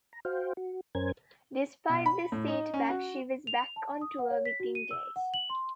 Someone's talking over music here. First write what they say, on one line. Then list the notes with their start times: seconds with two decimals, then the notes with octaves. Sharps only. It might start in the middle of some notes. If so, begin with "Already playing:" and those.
Despite this setback, she was back on tour within days.
0.13 A#5
0.25 F#4 C5 F5 G5
0.57 F#4
0.95 F#2 C#4 A#4 C5 G#5 G#6
1.89 B2
2.06 B5
2.32 A2
2.48 D#4
2.74 C#4
2.90 F#4
3.47 F7
3.76 A5
4.01 D#6
4.19 F#5
4.30 C#5
4.45 B6
4.60 F#4
4.75 D#7
4.91 E6
5.16 F#5
5.34 F#7
5.50 C6